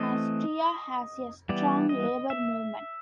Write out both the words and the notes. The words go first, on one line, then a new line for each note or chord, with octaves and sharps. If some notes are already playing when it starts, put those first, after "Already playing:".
Austria has a strong labour movement.
Already playing: E3 A3 C4 D#5
E3 G3 B3 D5
D#5
E5